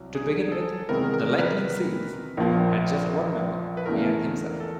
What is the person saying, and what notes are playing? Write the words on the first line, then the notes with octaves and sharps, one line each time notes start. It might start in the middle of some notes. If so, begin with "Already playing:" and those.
To begin with, The Lightning Seeds had just one member - Ian himself.
Already playing: C2 F#3
G#4
A4
E2 C3 D#3 G#3 B3 A#4
A#4
B4
A#1 A#2 F3 A#4
B4
E2 C#3 E3 A3 A#4
A4